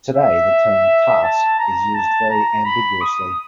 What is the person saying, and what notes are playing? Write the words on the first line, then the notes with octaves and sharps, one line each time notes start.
Today the term "task" is used very ambiguously.
E5
A5
A#5
A5
A#5
B5
D#6